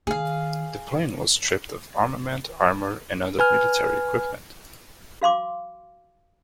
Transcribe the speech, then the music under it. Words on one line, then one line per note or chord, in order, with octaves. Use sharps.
The plane was stripped of armament, armor, and other military equipment.
D#3 G#4 F5
B4 G#5 F6
F#4 F5 C6 D6